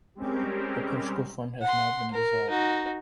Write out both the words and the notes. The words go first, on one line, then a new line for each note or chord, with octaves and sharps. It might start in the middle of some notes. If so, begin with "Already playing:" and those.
The Portugal Fund has now been dissolved.
G3 G#3 C4 C#4 G4 A#4
F#5 C6
A#4
D#4 F#4